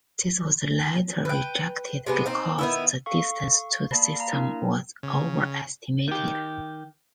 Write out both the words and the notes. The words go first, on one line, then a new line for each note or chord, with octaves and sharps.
This was later rejected because the distance to the system was overestimated.
B4 G5
C3 G#3 B3
C4 D#4
D#3 B3 E4
A4 F5 C#6
A#3 D5 A5 B5 C7
F5 A#5
A#3 D4 E4 A#4
C#3
D#3 G4